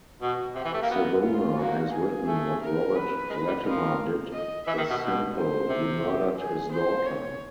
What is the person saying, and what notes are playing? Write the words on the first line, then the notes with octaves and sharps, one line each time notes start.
Savona has written, What Robert Latimer did is simple: He murdered his daughter.
B2 F#4
C3 G4
E3
A3
A#3
B3 F#4
F4
A#3 F#4
G#4
A3
A#4
B4
G#3 B4
G3
F3 A#4
D#5
E3 E5
D#3
B2
B2
C5
C3
G4
G#4
C5
C#5